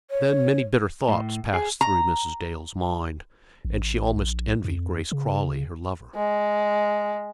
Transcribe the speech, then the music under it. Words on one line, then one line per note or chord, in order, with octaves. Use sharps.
Then many bitter thoughts passed through Mrs. Dale's mind, and she almost envied Grace Crawley her lover.
C#5
A2
G#4
A#5
A1
A#1
F2
C#3
G#3